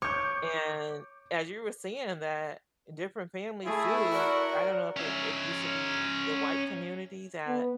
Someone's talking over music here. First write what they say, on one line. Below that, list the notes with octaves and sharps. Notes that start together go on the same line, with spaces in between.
and as you were saying that different families do I don't know if it it used to be the white community that
C#5 D6 G6
A3 E4 G#4
F#4 A#4 D5 F#5
C#4 E5
B3